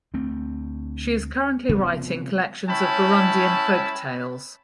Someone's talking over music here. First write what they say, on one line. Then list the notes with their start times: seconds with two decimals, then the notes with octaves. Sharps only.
She is currently writing collections of Burundian folk tales.
0.14 D2 A3 C4
1.69 C3 F3 B3 C#4
2.69 C#4 E4 C#5 G5 A5 B5